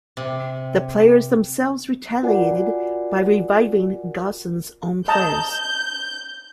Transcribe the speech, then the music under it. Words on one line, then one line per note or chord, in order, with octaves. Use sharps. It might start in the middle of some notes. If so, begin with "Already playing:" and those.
The players themselves retaliated by reviving Gosson's own plays.
C3
F4 F#4 A#4 D5 F#5 G#5
D#5 A5 A#5 G6